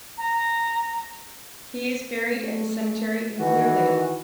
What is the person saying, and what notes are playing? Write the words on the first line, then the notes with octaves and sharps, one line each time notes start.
He is buried at the cemetery in Clear Lake.
A#5
A3
D#3 E3 F#4 F#5